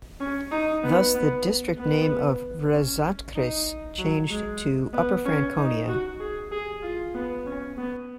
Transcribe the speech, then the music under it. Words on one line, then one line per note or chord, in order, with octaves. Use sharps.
Thus the district name of Rezatkreis changed to Upper Franconia.
C#4
D#4
B3
B3
B3
C#4
D#4
F#3
G#3
B3
C#4
D#4
F#4
G#4
G#4
F4
B3
C#4
B3